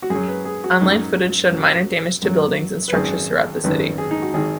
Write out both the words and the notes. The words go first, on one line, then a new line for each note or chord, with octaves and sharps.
Online footage showed minor damage to buildings and structures throughout the city.
F#4
F#2 G#4
F#3
B4
G#4
F#4
F#2 F#3 D#4
F#2 F#3
F#2 F#3
B4
G#1 F#2 D#3 G#4
G#1 F#2 D#3 B4
G#4
D#4
F#4
G#1 D#3 G#4